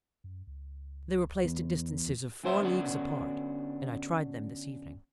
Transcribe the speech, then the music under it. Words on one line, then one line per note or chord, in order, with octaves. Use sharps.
They were placed at distances of four leagues apart, and I tried them this evening.
F#2
C#2
E2
D#2
F#2 A#2 A#3 G#4 C5 E5
D3 B3 C#4 D4 F#4